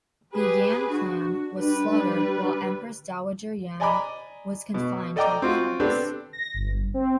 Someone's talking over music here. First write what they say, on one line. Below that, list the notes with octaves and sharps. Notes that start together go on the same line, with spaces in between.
The Yan clan was slaughtered, while Empress Dowager Yan was confined to her palace.
G4 G#4 B4
D4 F#4
G3 B4
D5 D#5 G#5 A#5 B5 D6
B2
A4 D5 D#5 G5 A#5 D6
C4 F4 F#4
B3 C4 D4 G4 A4 D5
A#6
G1
C4